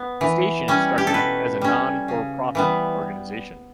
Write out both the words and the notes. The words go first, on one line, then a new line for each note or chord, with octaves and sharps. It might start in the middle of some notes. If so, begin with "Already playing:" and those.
The station is structured as a non-for-profit organisation.
Already playing: B3
E3
G3 C#4
G4
A4
B2 B4
G3 C#4
C#3
E3 G3 B3